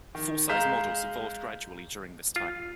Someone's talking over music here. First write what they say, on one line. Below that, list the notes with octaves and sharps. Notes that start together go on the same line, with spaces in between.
Full-size models evolved gradually during this time.
D#3
G#3 F5 A#5 G6 B6 E7
F4